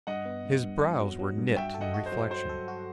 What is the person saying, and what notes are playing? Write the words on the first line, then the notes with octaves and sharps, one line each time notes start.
His brows were knit in reflection.
G2 D#5 F#5
B3
G2
G2
G2
F#3
F#3
G2
F#4 E5 G5
A4
D#5 F#5
F#4
C5
F#3
F#3 C5
A4
F#4